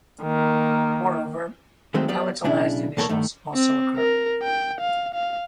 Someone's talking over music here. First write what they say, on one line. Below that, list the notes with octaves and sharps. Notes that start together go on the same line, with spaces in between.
Moreover, palatalized initials also occur.
D#3 A#3
D#3 F#3 G#3 A3 C4
F#3 B3 G4 D5 F5
B1 C#3 D4 E4
B1 E2 A#3 A4 A#4 C#5
G2 D#3 A3
C4
A#4
G5
F5
F5